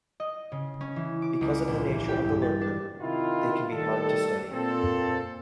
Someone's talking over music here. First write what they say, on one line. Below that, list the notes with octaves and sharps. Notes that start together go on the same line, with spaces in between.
Because of the nature of the lurker, they can be hard to study.
D#5
C#3
C#4
E3
D6
C#2
A#1
E3
G4
G2
A6
D4
C3 D#3 E4 F4
D#3 G3 A3 A4
A#2 C4 A4